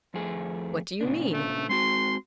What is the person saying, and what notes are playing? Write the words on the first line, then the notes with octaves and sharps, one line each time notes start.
"What do you mean?"
F2 A3 G#4
A#2 C#3 D4
A3
G#3 C4 F#4 C6